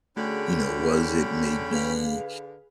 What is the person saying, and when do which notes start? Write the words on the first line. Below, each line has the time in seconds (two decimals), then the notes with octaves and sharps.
You know, was it maybe,
0.17 D3 A3 C#4 F#4 G#4 G5 B5
1.72 G#4 B4 F5